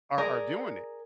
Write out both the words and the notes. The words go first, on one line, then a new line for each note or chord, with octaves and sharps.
are are doing it.
G#4 A#4 D5